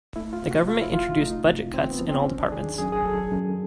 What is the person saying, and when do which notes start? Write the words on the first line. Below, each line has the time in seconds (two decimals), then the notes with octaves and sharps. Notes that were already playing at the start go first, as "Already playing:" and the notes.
The government introduced budget cuts in all departments.
0.16 A3 E4
0.33 F4
0.41 C3
0.51 F#4
0.68 E2 F4
0.81 E4
0.94 F3 F4
1.21 A3 D#4
1.47 C3
1.73 E2 C4
1.91 B3
2.00 F3
2.09 C4
2.26 F#2 C#4
2.39 D4
2.52 D#3 G#4
2.78 F#2 G#4
2.92 G#4
3.05 F#3 A4
3.32 F#2